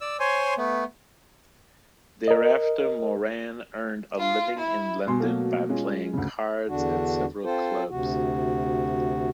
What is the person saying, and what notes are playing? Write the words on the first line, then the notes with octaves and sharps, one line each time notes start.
Thereafter Moran earned a living in London by playing cards at several clubs.
D5 E6
C5 C#5 G#5 C6
A3 B3
A#4 D#5
F4
E4
B2 G#5 C6
F#3 A3 A#3
G#3 C#4 F4
D2 C#3
E2 D3 D4 F#4
C4 F4 A4 C5
D2 C3 F#4